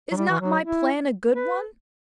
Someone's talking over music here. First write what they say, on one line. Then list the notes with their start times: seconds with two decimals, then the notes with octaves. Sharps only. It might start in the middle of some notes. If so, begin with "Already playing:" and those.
Is not my plan a good one?'
0.12 F#3
0.16 G3
0.29 E3
0.40 F#3
0.64 E4
1.35 B4